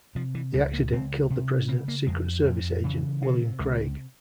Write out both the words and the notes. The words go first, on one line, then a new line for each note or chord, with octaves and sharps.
The accident killed the president's Secret Service agent, William Craig.
C3 F3
E3
C#2 G3
A#3
C#2 C4
C3
C#3 C4
A#3
F2 G#3
F2 F3
C#3 E3
C3
C#2